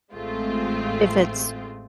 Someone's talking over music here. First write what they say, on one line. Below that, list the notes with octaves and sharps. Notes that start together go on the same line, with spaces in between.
if it's
A1 G#3 A3 C4 F4